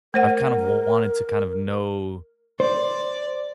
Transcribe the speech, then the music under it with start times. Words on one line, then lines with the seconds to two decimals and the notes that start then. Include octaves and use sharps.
I've kinda wanted to kind of know,
0.14 A3 A#4 C5 F#5
2.60 C5 D5